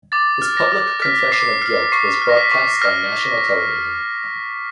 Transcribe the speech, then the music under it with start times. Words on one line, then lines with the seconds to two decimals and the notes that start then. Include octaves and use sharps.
His public confession of guilt was broadcast on national television.
0.12 D6 A6
0.42 F6
0.57 A#6
0.72 D6
1.02 F6 B6
1.32 D6 C7
1.62 F6 C7
1.92 C#6 C7
2.22 F6
2.29 A#6
2.37 B6
2.52 C#6
2.81 F6 A#6